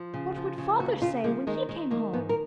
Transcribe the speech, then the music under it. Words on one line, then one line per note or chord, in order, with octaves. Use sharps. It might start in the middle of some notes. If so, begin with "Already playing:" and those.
What would father say when he came home?
Already playing: F3
C#3
F3
C#3
D#2 F#4
C#3 F4
F3 A#3
D#3 G#3
D#3 G#3
D#3 A#3
G#2 B3
A#4